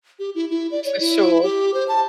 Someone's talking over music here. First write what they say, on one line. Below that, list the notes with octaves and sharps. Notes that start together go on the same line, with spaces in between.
For sure.
G4
E4
E4
D5
C#5
E4
G4
C5
A5